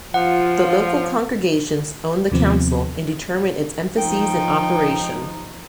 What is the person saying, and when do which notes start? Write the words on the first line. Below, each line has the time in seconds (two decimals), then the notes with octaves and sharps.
The local congregations own the Council and determine its emphases and operation.
0.14 F3 F4 F#5
2.31 D#2 C3 F3 B3 C4
3.98 F3 D#4 G5